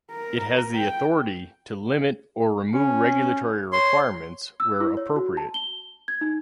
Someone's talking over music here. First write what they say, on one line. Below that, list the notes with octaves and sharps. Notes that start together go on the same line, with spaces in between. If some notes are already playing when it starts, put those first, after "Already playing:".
It has the authority to limit or remove regulatory requirements where appropriate.
A#4
G5
C#4
C#5 C6
E6
E4
C#5
F#4
A5
G7
G#6
D#4